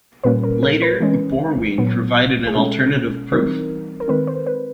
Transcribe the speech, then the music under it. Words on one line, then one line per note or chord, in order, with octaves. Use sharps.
Later, Borwein provided an alternative proof.
A#2 G3 A#3 C#4 B4
A#4
A#4
B4
E3 G#3 C#4
A#2 F#3 B3
G#4
B2 G#3 C#4 A4
E3 G3 C4 D#4 A#4
A#4
D#3 G#3 C4 B4
C5
B4